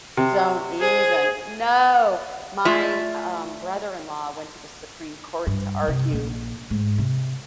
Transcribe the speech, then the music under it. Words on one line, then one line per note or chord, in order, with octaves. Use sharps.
don't even. No! My um, brother-in-law went to the Supreme Court to argue
C3
G#4 C5
A3 F4 D5 E5
G2
C3
A#1
G#2
C3